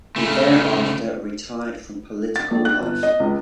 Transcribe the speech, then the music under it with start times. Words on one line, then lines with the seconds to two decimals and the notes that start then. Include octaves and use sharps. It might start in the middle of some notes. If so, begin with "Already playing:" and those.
He thereafter retired from political life.
0.16 C#3 A3
2.36 A6
2.51 A#1
2.65 F#6
2.80 G1
3.03 D#5
3.20 C#2